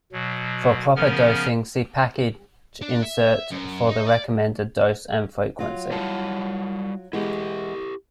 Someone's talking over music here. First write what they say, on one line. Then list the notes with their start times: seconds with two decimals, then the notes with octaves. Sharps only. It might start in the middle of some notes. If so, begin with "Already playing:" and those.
For proper dosing, see package insert for the recommended dose and frequency.
0.12 B2 F#3
0.96 C#3 F3 B3 C#4 A#4 F6
2.82 D4
3.02 E5
3.51 F#2
3.89 D#4
4.07 D5
5.59 F#3 F4
5.91 G3 E4 A5
7.13 E3 G#3 B3 E4 G4